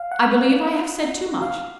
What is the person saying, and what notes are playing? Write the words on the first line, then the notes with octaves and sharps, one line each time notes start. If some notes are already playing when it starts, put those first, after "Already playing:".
I believe I have said too much.
Already playing: F5
F#5
F5